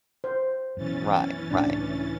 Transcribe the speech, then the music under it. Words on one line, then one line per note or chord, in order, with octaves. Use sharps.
Right, right.
C5
F#2 B2 E3 C#4 A6
C#2 A2 D4